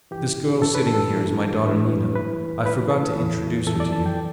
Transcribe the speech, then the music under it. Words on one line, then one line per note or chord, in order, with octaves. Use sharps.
This girl sitting here is my daughter Nina; I forgot to introduce her to you.
G2 E3 G4
G2 E3 A4
B4
A4
G2 E3
G2 E3 B4
A2 E3 B4
A2 E3 B4
A4
E2 E3
E2 E3 A4
D5
A5
G5